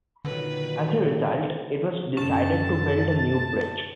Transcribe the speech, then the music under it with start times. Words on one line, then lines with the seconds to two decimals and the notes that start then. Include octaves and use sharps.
As a result, it was decided to build a new bridge.
0.25 A#2 D3 D#3 F#3 B4
2.17 F#2 D3 C#4 A5